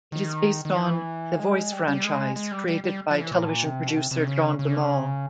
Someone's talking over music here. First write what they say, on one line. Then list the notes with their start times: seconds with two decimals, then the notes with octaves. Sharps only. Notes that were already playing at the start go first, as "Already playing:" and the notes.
It is based on "The Voice franchise" created by television producer John de Mol.
0.12 D#3
0.65 D#3
0.76 E3
1.39 G#3
1.72 G3
1.88 G3
2.04 G#3
2.36 G#3
2.52 G3
2.68 G3
2.84 G3
3.11 F3
3.21 E3
3.31 A#2
3.43 A2
3.48 A#2
3.64 C3
3.87 B2
3.96 C3
4.11 C3
4.27 C#3
4.59 C#3